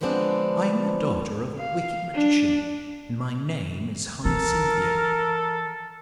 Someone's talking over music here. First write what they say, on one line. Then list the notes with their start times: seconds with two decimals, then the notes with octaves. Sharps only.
I am the daughter of a wicked magician, and my name is Hyacinthia.
0.01 D3 F3 G#3 B3 C4 D4
1.57 F5
2.15 D4
4.25 E3 A4 A#4